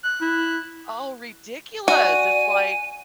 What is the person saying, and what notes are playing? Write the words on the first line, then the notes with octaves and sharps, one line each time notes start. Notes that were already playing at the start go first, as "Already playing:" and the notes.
oh, ridiculous, it's like,
F#6
E4
F#4 D5 G#5 D#7